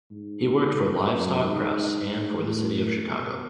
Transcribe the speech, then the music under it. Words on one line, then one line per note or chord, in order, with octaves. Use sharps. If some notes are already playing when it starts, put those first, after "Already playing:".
He worked for "Livestock Press" and for the city of Chicago.
G#2
F#2
G#2
G#2
A2
B2